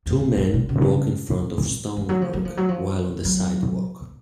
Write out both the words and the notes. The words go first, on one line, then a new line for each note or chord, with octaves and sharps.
Two men walk in front of stone work, while on the sidewalk.
E2
A2
A#2
B2
C#3
F3
F#3
F3
F#3
F3
F#3
F3
F#3